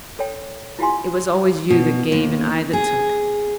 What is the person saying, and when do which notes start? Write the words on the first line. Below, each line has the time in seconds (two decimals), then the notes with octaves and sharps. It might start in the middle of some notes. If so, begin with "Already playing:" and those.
It was always you that gave and I that took.
0.19 A4 C#5 G5
0.79 E4 F4 G4 F5 G#5 C6
1.70 B2
2.12 D#2
2.73 G#4